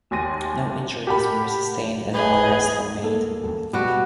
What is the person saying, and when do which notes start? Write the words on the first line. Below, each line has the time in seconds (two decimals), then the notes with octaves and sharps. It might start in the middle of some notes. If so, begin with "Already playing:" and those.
No injuries were sustained and no arrests were made.
0.11 G#1 D#2 G#5 C6 A#6 D#7
1.07 G4 A#4 F#5 A5 B5
2.14 G#4 B4 D#5
3.02 A#3 A4
3.73 B2 G3 G#3 F#4